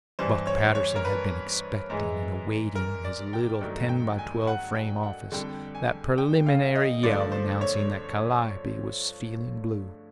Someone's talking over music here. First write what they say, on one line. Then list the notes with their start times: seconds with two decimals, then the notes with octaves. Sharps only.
Buck Patterson had been expecting and awaiting in his little ten-by- twelve frame office that preliminary yell announcing that Calliope was feeling blue.
0.19 G2 E3 G3 C5
0.47 C#5
0.75 C#5
0.96 A#4
1.05 B4
1.90 G#2 E3 G#3
2.75 A#4
3.05 D5
3.33 G5
3.61 G2 D#3 F#3 A3
3.89 G5
4.18 G#5
4.47 F#5
4.75 G5
5.03 F#5
5.32 F2 D3 G3 G5
5.75 G#5
6.18 G5
6.46 F5
6.75 D#5
7.03 G2 D3 F3 A3 D5
7.32 C5
7.61 C#5